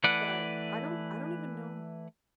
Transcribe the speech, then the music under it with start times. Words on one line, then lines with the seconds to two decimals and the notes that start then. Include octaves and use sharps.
but I don't I don't even know.
0.04 E3 A3 B4 D5 F#5